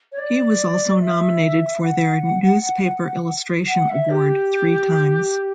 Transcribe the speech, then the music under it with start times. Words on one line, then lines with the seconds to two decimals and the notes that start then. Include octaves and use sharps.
He was also nominated for their Newspaper Illustration Award three times.
0.12 C#5
0.18 D5
1.01 E5
1.83 F#5
3.68 F#5
3.90 E5
4.10 G4